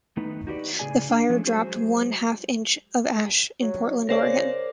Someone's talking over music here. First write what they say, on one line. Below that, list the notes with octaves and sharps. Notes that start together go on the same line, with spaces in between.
The fire dropped one-half inch of ash in Portland, Oregon.
D#3 A3 B3 D#4 B4
D#4 F#4 G4 B4 D5
A2 C#3 A#3 G#4 D5 G#5
D4
F3 F#3 A3 C#4
F#3 G#3 F#4 G#4 C5
F#3
C#3 A#4 C5 D5